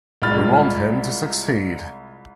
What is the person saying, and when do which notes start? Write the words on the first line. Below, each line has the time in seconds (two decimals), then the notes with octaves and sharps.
We want him to succeed.
0.22 C2 G#3 F4 B5 F6 A6